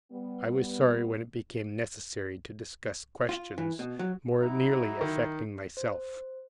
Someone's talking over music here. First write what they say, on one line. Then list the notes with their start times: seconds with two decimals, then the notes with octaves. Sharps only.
I was sorry when it became necessary to discuss questions more nearly affecting myself.
0.12 G3 B3
3.29 F4
3.58 E3
3.79 B2
3.99 F#3
4.40 F#3 D#4 E4
5.01 D#3
5.77 C5